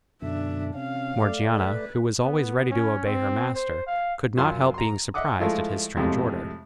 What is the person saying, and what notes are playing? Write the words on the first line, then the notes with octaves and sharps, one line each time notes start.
Morgiana, who was always ready to obey her master, could not help being surprised at his strange order.
F#2 B2 D3 D4 E5
C3 C#4 F5
A3 D5
B4
B3
C#4
C4
C5
F5
F#2 F4 C6
A#5 C6
D#5 E5 F#5 D6 D#6
F3 G#3 A3 E4 F4
F2 A2 C3 G#3